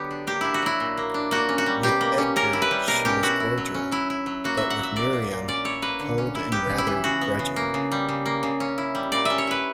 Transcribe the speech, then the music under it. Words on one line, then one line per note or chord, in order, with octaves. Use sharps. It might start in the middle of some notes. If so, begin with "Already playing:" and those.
With Edgar she was cordial, but with Miriam cold and rather grudging.
Already playing: D3 F#3 B3 G4
D4
A#3 G4
D4 E4
F#4
F#3 E4
A#2
A#3
D4
A#3 F#4
C#4
F#4
G3
B2 G4
A#3
C#4
C#4 A#4
E4
B4
G3
B2 A#4
C#4 G4
E4 F#4
E4
F#3
C#4
F#3 E4
E4
F#3
A#3 F#4
A#2 E5
F#5
F#3
E5
A#2 D5
A#3
A#2
C#4 D5
E4 C#5
A#3 B4
D3
C#4
E4
B3 G4
C#3
E4
E3
C#3 F#4
B3
C#3
A#3
C#3
G3
C#3
A#3
C#3
C#4
E4
G3
A#2 D5
C#4 E5
C#5
E4 B4